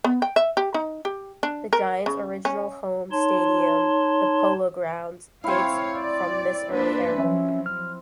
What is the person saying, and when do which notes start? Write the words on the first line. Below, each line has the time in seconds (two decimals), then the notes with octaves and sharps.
The Giants' original home stadium, the Polo Grounds, dates from this early era.
0.04 B3
0.22 G5
0.36 E5
0.57 G4
0.74 D#4
1.05 G4
1.43 D4
1.73 A#4
2.06 C#3
2.45 C#4
3.12 D#4 C#5 A5 C6
5.44 C4 E4 C#5 F5
5.96 D5
6.72 A#3 D4 B4
7.18 F3 F#3 C#4 E5
7.66 F6